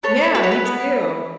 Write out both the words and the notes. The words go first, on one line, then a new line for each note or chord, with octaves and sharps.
Yeah, me too.
B3 A4 C#5
F#4 A4 B4
C#5
B4
B3